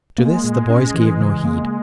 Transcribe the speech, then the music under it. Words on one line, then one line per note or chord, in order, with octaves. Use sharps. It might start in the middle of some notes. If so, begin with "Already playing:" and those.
To this the boys gave no heed.
G#3 A#3
A#2
C#4
E3
C#3
A#3